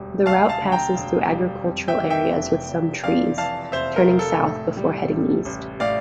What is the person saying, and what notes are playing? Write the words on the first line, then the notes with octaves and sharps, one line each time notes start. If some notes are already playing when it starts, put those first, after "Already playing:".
The route passes through agricultural areas with some trees, turning south before heading east.
Already playing: E1 D2 G3
D2 F5 A5
F5 A5
D3
G5 A#5
E1
G3
F2
E5 G5
E3
E5 G5
F1
F1
F2 D5 F5
E3 F5 A5
F1 C5 E5
A#4
F1
A4
A2
G3
A1
A1
A2 D5 F5